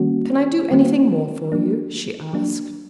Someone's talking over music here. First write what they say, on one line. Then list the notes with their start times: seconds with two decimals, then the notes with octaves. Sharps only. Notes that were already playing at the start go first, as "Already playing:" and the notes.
"Can I do anything more for you?" she asked.
Already playing: D#3 G3 A#3 C#4 F#4
0.71 D#3 G3 A#3 C#4 F#4
1.52 F#3 A#3 D4
2.33 F#3 A#3 D4